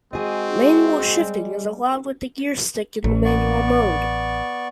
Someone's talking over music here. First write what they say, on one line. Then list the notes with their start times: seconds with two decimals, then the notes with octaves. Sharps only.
Manual shifting is allowed with the gear stick in the manual mode.
0.13 G#3 C4 F#4 G#4 D#5
1.18 G3
3.04 A1
3.25 B3 D5 C#6